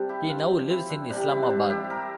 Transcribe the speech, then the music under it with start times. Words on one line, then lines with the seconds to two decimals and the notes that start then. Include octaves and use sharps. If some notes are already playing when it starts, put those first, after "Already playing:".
He now lives in Islamabad.
Already playing: C3 G3 C4 D4
0.09 E4 G4
0.29 D4 F4
0.70 C4 E4
0.90 D4
1.10 C3 E3 G3 D4
1.30 C4 E4
1.43 D4
1.50 C4 E4
1.70 E4 G4
1.90 G4 A#4